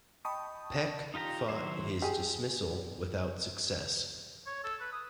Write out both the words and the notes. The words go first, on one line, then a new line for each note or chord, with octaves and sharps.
Peck fought his dismissal without success.
D#5 G5 A5 B5 C#6 D#6
D#4 F4 G4 A#5
D#3 F#3 E4 C5
G4 G#4
C#5
A4
B4
D#6